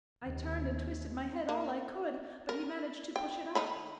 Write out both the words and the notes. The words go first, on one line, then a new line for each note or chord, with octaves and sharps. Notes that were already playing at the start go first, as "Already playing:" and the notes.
I turned and twisted my head all I could, but he managed to push it up.
D#2
A#3
A#4
G5
D#3 D#4 B5